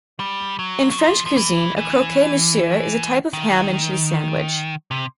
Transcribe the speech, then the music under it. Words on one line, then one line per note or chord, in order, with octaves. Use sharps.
In French cuisine, a croque-monsieur is a type of ham and cheese sandwich.
G3
F#3
F#3
F3
F3
E3
E3
D#3
C3